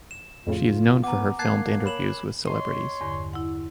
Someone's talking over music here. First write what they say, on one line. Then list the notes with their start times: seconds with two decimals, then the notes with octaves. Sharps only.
She is known for her filmed interviews with celebrities.
0.11 E7
0.47 F2 A2 C#3 F4
1.04 B3 F#5 G#5 A#5 D6
1.39 A#3 A5 F#6 G#6 C7
1.86 A#4 C#5 B5 E7 F#7
2.45 C#5 D#5 C6
3.01 E2 G2 D3
3.34 E4 F#5